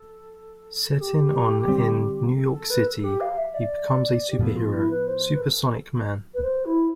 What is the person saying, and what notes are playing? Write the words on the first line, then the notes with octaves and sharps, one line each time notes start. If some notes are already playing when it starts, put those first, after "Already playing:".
Setting on in New York City, he becomes a superhero, Supersonic Man.
Already playing: A4
A4
G4
D3 G3 C4
A4
A4
B4
A4
G4
F5
E5
D5
G4
A2 F3 B3 A4
F4
E4
B4
C5
B4
A4
B4
C5
E4